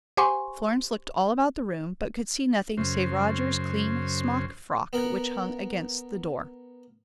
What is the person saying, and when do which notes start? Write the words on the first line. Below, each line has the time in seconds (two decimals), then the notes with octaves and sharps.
Florence looked all about the room, but could see nothing save Roger's clean smock frock which hung against the door.
0.17 G4 C5 F#5 G#5 C6 C#6
2.77 F#2 C#3 C5
4.93 B3 A#4 F#5